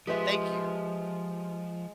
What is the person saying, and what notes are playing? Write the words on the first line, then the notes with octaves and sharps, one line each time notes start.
Thank you.
F3 G#3 G4 B4 D#5 E5